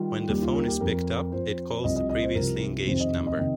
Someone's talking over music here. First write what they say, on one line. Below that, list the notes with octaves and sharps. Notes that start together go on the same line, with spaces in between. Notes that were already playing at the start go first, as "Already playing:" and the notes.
When the phone is picked up, it calls the previously engaged number.
Already playing: D#3 G3 F4
D#2 D#3 G3 G4
F4
A#4
G4
F2 F3 A#4
F2 F3 C5
C2 C3 F3 D#5
D#5
D#5
C5
C2 C3 F3 A#4
F4
F2 C3 D#3 C5
D#5
D#5
C3 D#3 D#5